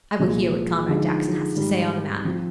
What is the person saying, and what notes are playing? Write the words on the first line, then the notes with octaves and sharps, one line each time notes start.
I will hear what Comrade Jackson has to say on the matter.
C2 A#2 F3 G#3
D3 F3 G#3 D#4
G#2 D#3 G3
F3 C4